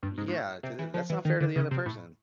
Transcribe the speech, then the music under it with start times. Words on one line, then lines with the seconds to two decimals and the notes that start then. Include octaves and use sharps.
Yeah, 'cau uh that's unfair to the other person.
0.03 G2
0.18 G#2
0.28 G#2
0.33 A2
0.63 C3
0.79 E3
0.94 F3
1.10 E3
1.25 D#3
1.40 D3
1.56 C#3
1.71 C3
1.86 A2